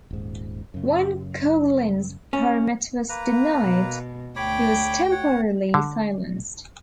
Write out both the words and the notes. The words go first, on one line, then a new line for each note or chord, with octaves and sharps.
When Coughlin's permit was denied, he was temporarily silenced.
D#1 G#2
F#2 C#3
C#4
A#3 B4 A#5
B2
D2 C#5 G5 B5 D6
C#5 F#5
D3